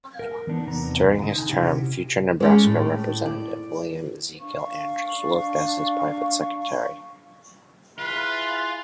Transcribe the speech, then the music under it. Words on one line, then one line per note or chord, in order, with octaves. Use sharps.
During his term, future Nebraska representative William Ezekiel Andrews worked as his private secretary.
A#4
E3 B3 D4 D#4
E2 C3 B3 A#5
D3 D#4
C3 C#4 E4 F#4 G4
G#3 C#4 D5
A2
D5
D4 F5 C#6
E4 F4 G#4 B4 C6